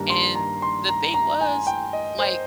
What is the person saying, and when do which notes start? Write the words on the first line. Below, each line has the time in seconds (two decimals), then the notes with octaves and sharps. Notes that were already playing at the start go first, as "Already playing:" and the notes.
and the thing was, like,
Already playing: G2 D#3 G3 A#3 D4 A#5
0.10 C6
0.35 A#5
0.62 C6
0.89 A#5
1.14 A#5
1.41 G#5
1.67 G5
1.93 D#5
2.19 C5